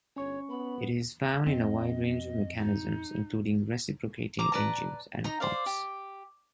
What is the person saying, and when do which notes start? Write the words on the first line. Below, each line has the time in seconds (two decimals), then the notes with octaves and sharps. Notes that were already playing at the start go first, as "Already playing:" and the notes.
It is found in a wide range of mechanisms, including reciprocating engines and pumps.
0.16 G1 C#4 C#5 C#6
0.49 B3 B5
1.47 F2 C4 D#5
2.57 D#4
4.39 C5 A#5 D6
4.52 B4 D5 A5 A#5
5.24 D#4 A#5
5.40 C5 D5 F5
5.66 G4